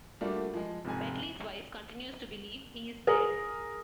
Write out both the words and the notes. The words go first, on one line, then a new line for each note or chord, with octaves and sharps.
Beckley's wife continues to believe he is dead.
G3 A3 A#3 D4 F4 F#4
F3 G#3
F1 F2 G#2 G#5
G#4 A#4